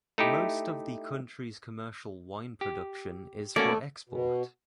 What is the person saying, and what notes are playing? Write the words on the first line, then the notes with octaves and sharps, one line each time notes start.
Most of the country's commercial wine production is for export.
A3 D#4 E4 G4
G4
A3 A#3 C#4 F#4 D5
B2